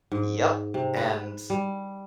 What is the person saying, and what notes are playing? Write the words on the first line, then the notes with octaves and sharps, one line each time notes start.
Yep, and
G#2
C3
B4
G3